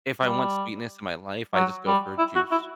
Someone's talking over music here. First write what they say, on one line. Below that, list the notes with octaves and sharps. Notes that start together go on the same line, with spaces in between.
if I want sweetness in my life, I just go for a juice.
G3
F#3
G3
E4
F#4
E4